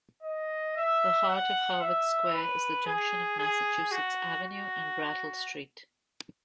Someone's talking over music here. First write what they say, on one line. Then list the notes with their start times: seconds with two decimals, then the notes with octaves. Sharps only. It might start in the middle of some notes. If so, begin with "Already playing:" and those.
The heart of Harvard Square is the junction of Massachusetts Avenue and Brattle Street.
0.22 D#5
0.76 E5
1.29 F#5
1.81 E5
2.33 B4
2.86 G#4
3.38 G#4
3.91 F#4
4.43 F#4